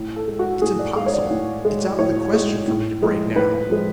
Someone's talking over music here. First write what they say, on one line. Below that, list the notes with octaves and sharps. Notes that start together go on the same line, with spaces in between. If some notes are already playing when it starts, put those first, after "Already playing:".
It's impossible; it's out of the question for me to break now!'
Already playing: A2
A4
G#3
F#4
A2 G#4
D5
G#3 F5
C#5
D5
A2
G#3
A2 C#5
G#3
A2
F3 G#3
A2 B4
F3 G#3